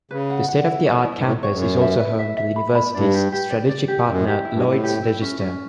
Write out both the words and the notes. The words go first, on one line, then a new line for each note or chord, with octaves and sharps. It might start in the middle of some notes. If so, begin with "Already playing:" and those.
The state-of-the-art campus is also home to the University's strategic partner Lloyd's Register.
C#3 B4
F#5
F#5
E4
C#5
E4
G2
A2 C#5
C#5
F#2
C#5
E5
B4
E5
E5
B5
B5
G2 D5
G4
G4
D5
D5
G4
F#2 E4
G4
E4
G2
A2 E4
G4
E4
C#4
C#4